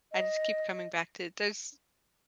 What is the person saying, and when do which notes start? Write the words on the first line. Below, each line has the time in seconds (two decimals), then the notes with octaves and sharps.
I just keep coming back to there's
0.12 D#5